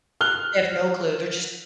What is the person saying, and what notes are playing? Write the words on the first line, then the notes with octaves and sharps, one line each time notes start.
They have no clue, they're just
F6 F#6 G7